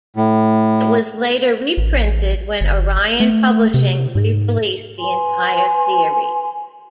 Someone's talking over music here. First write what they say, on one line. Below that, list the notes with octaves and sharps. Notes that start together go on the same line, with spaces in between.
It was later re-printed when Orion Publishing re-released the entire series.
A2
A1
G1
A3
C3
G#2
B4 G#5 C6